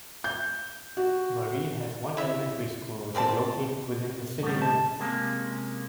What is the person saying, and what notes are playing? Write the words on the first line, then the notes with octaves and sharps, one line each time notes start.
Marine has one elementary school which is located within the city limits.
G6
F#4
E4 E5
A#3 C4 B4 A5
A2 D3 G3
A5
C3 G#3 A#3 C#4